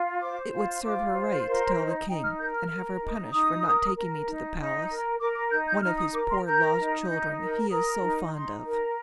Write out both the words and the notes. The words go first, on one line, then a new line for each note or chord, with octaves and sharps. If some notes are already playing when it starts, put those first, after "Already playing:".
It would serve her right to tell the king and have her punished for not taking me to the palace--one of his poor lost children he is so fond of!
Already playing: F4
C5 D6
F4
F4 D6
C5
A#4 C6
D#4
D#4 G5
F6
A#4 G6
F6
A#4
D#4
D#4 D#6
A#4
A#4
D#4
D#4
A#4
A#4 D6
D6
D#4 G6
G6
D#4 F6
D#6
A#4 D6
C6
A#4 G6
D#4
D#4 G6
A#4
A#4 D#6
D#4
D#4 C6
A#4